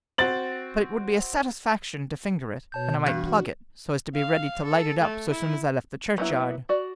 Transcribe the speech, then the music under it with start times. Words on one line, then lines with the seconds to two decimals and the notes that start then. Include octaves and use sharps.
But it would be a satisfaction to finger it, and I might plug it, so as to be ready to light up so soon as I left the churchyard.
0.18 C4 F#4 A6 F#7
2.72 B2 C#5 A5 G6
3.06 G2 E3 F#4
4.15 F5
4.64 A4
5.00 A3
5.29 E4
6.18 F#3 A#3 B3 D#4 E4
6.69 F#4 D5